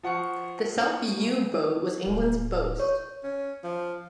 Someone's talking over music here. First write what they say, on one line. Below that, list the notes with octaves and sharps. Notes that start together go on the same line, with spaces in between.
The self-yew bow was England's boast.
F3 F#5 C#6 C#7
D1
C#5
C#4
F3